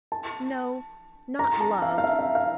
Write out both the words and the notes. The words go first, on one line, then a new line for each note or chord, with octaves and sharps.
No: not love.
A5
A#5
A5
F5
F5
E5
E5
F5